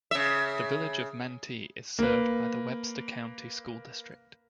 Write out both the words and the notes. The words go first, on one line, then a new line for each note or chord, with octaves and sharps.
The Village of Mantee is served by the Webster County School District.
C#3 E5
A#3 B4